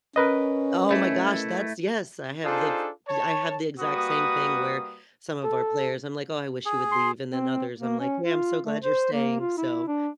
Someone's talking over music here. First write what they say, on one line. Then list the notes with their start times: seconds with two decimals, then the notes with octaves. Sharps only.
Eh, oh my gosh, that's yes, I have the f I have the exact same thing where some of our players I'm like, "Oh, I wish he would leave," and then others, I'm like, "Yeah, I'm so glad you're staying," so
0.16 C#4 A#4 B4 D#5
0.91 A3 E4
2.44 D4 D#4 F4 G#4 A4 C5
3.07 C#5 A5
3.80 G3 A#3 F#4 B4 D#6
5.44 A4
6.66 G#4
6.92 C6
7.32 C4
7.79 A#3
8.00 C#4
8.25 F4
8.66 A3
8.83 C5
9.12 A#3
9.40 F4
9.58 E4
9.88 D4